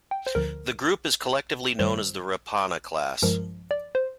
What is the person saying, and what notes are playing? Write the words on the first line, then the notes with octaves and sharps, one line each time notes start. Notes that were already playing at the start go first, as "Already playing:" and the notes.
The group is collectively known as the Rapana Class.
G5
C5
D2 D3 F3 A#4
G2 D#3 G3 C5
G2 F3 G#3 A#4
D5
C5